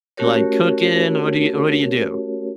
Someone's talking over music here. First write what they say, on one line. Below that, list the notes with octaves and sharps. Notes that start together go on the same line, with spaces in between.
You like cooking, what do you what do you do?
A3 C#4 F#4 G4 A#4 C#5